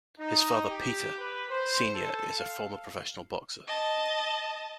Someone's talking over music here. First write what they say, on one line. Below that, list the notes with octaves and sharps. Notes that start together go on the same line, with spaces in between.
His father Peter, Senior is a former professional boxer.
D#4
G4
B4
C5
A4
F5
D#5 A5